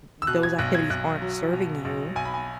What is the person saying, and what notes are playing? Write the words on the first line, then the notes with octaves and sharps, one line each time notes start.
th those activities aren't serving you,
E6
B2 F#6
G#6
B1 F#6
G#6
B1 F#6
F#3
B2
B1
B1 G#5
B5
G#5